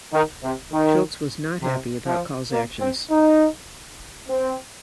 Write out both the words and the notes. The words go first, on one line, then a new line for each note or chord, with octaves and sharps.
Schultz was not happy about Coll's actions.
D#3
C3
D#3
C3
F3
A#3
C4
D#4
C4